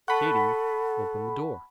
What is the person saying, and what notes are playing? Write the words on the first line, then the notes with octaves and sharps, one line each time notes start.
Katy opened the door.
A4 F#5 A5 B5 C#6